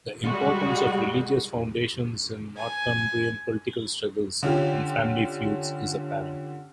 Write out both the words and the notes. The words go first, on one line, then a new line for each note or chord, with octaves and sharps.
The importance of religious foundations in Northumbrian political struggles and family feuds is apparent.
G3 G#3 F#4
G#5
D3 C#4 F4 G4